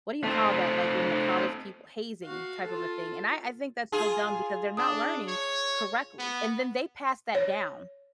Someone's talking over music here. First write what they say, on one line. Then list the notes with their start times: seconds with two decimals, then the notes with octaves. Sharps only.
what do you call that? Like, when the college people hazing type of a thing. And I I think that's so dumb because they're not learning correctly. And then they pass that down.
0.23 A3 C4
2.24 F#4 F5
2.64 F4 A4
3.92 F4 G#4
4.77 D4 D#6
5.28 C#5
6.18 B3
7.35 C#5